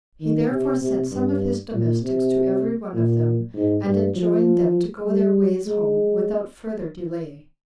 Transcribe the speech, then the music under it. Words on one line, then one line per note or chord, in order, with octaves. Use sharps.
He therefore sent some of his domestics to every one of them, and enjoined them to go their ways home without further delay.
D#3
C3
C3
G2
A#2
C3
A#2
G#2
G2
F3
G3
G#3